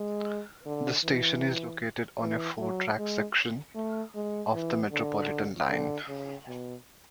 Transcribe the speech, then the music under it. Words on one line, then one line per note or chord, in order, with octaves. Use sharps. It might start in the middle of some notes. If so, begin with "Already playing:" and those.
The station is located on a four-track section of the Metropolitan line.
Already playing: G#3
D3
E3
E3
F#3
G#3
A3
G#3
E3
D3
D3
C#3
B2